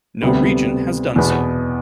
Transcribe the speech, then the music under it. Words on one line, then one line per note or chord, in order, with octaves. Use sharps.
No region has done so.
D2 C3 G3 B3
E2 B2 B3